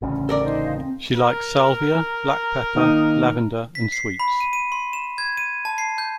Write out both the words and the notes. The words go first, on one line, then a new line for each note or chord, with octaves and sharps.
She likes Salvia, black pepper, lavender and sweets.
A1 D2 C#3 C#4
A4 A#4 D5
D#4 C5 D#5
F5
C4
A#4
D#2 D#4 D#5
B6
C7
B5
D#7
D#7
C6
E7
G#6
D#7
A5
C7
G6